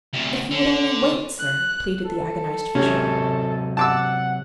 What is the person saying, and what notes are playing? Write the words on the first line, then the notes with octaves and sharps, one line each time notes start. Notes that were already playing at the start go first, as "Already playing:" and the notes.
"If you would only wait, sir," pleaded the agonized Fisher.
D2 C3
D3
F#6
A4
C3 F#3 C#4 G4
F#5 A5 D6 E6